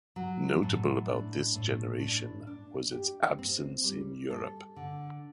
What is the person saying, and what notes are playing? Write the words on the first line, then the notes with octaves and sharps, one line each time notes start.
Notable about this generation was its absence in Europe.
F#3
A2
D4
A2
D4
D4
G4
C4
G3
A4
D3